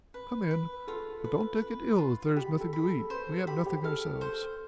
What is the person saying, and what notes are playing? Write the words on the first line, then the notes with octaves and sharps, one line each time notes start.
"Come in, but don't take it ill that there is nothing to eat; we have nothing ourselves."
B4
B4
F4 A4
B4
B4
F4
G4 B5
A4
B5
A4
B4 C5
A4
G4 B5
G4
A4 F5
C5